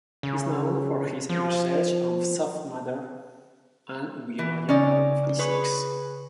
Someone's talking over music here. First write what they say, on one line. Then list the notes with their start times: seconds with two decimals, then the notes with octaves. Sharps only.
He is known for his research on Soft matter and Biological Physics.
0.23 C#3
1.29 F3
4.39 E3
4.69 C#3 C#4 D#4 D5
5.39 G#4 B4 C#5